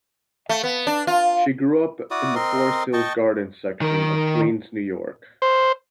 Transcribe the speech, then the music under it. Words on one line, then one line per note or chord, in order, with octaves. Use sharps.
She grew up in the Forest Hills Gardens section of Queens, New York.
A3
B3
D4
F4
E4 F#4 D5 D#6
C4 A#4 D#5 C6
D#5 G5 A5 C#6
D#3 A#4
C5